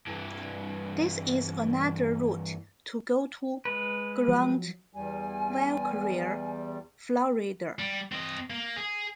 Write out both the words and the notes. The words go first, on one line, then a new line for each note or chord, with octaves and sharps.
This is another route to go to Grant-Valkaria, Florida.
G2 E3
G#3 B4
F3 F#3
E2 G3 G#5
G3
C4 D#5
A#3
G#4